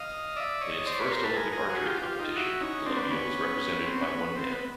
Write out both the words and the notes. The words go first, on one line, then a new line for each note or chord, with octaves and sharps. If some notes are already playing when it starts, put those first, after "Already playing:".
In its first Olympic archery competition, Colombia was represented by one man.
Already playing: D#5 F5
D5 E5
C#5 D#5
C5 D5
B4 C#5
A#4 C5
A4 B4
G#4 A#4
G#4 A#4
F#4 G#4
F4 G4
F4 G4
D#4 F4
E4 F#4
C#4 D#4
C4 D4
B3
C4
B3 C#4
C4
B3 C#4
B3
C4
B3